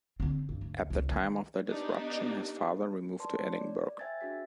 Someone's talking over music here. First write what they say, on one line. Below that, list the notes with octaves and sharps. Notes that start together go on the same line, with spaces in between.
At the time of the disruption his father removed to Edinburgh.
D3 C4
G2
D2
C#2 C3
D#3 G3
B3 D4 D#4 G4
B4 D5 A5 C6
C#5
D5
C5 E5 G5 G#5 G#6 A6
D4 F#4 G#4 B6